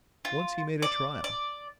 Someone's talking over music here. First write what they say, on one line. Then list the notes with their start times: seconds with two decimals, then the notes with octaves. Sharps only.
Once he made a trial.
0.25 F4
0.82 D5
1.24 D5